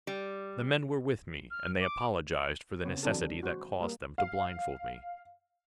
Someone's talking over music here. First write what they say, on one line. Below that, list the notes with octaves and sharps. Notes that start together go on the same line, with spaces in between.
The men were with me, and they apologized for the necessity that caused them to blindfold me.
G3
F6
D6
C#3 B3 C4 C#5
E3 F#3 C4 D4 G#4 A4
G#3
F#4 C5
G3 A#3
F5